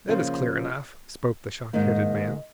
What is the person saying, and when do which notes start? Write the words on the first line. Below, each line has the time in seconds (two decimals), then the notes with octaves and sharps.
"That is clear enough," spoke the shock-headed man.
0.08 C#3 F3 A#3 F4
1.73 G#2 D#3 A#3